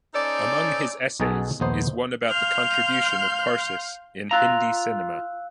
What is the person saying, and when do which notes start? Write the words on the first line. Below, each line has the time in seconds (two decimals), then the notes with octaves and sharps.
Among his essays is one about the contribution of Parsis in Hindi cinema.
0.13 C#4 D#4 A4 C5 D5
1.20 B1 B2 D#4 F#4 G#4 A4
1.60 A#1 D#2 A3 B3 D#4 C5
2.27 F5 C6 F6 G6
4.31 F4 F5 A#5 E6 F#6